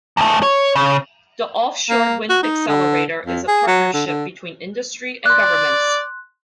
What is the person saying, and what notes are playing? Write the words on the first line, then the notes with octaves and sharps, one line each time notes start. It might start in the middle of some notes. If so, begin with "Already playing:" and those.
The Offshore Wind Accelerator is a partnership between industry and governments.
E2 A3
C#5
C#3
A#3
F#4
D#4
D3
F2
G#4
F#3
D3
D3
D5 C6 F#6